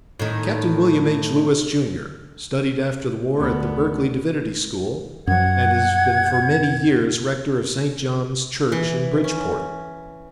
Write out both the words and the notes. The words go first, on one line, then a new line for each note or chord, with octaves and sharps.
Captain William H. Lewis, Jr., studied after the war at the Berkeley Divinity School, and has been for many years rector of St. John's Church in Bridgeport.
A2 D#3
D2 B3
F#2 F3 F#5 G#6
E3
C#4